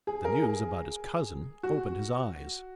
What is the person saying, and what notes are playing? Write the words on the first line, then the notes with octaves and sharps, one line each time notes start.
The news about his cousin opened his eyes.
G#4
A#4
G#4
F#4